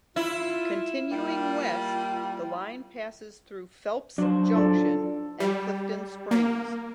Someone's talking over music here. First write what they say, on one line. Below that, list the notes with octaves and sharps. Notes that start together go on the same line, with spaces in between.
Continuing west, the line passes through Phelps Junction and Clifton Springs.
E4 F4
G3 A#3 F4
F#3 D4 C5
F4 A4 D5
G3
A#3